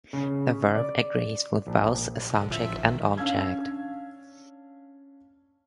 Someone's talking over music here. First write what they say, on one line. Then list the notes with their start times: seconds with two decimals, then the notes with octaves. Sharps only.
The verb agrees with both subject and object.
0.13 C#3
0.75 D5
1.67 A#1
2.31 B1 D3
2.49 A1 F3 E5
2.78 D#3
3.18 C#4 D4 F5 E6 G#6